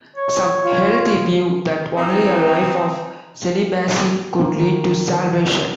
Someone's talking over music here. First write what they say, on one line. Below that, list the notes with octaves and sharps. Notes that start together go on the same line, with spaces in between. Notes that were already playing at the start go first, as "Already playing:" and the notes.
Some held the view that only a life of celibacy could lead to salvation.
C#5
F4
E3 C4 D#4
D#3 A#3 C5